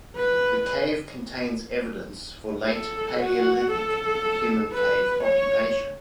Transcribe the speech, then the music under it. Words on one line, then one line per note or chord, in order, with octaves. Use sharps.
The cave contains evidence for late Paleolithic human cave occupation.
B4
A4
F#4
A4
B4
C#5